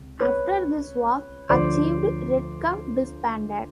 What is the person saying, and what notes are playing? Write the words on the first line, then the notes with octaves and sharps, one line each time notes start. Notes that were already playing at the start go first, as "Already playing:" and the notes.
After this was achieved Redgum disbanded.
Already playing: C#2 C3
B4 C#5
D2 D3 F3 C5 D5